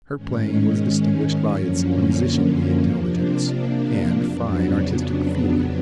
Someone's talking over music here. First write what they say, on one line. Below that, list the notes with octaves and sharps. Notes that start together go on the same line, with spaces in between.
Her playing was distinguished by its musicianly intelligence and fine artistic feeling.
G#2 D#3 G#3 C#4
F#2 D3 F3 A#3 C#4
C3 F3 A#3 D4
F2 C#3 F#3 B3 D4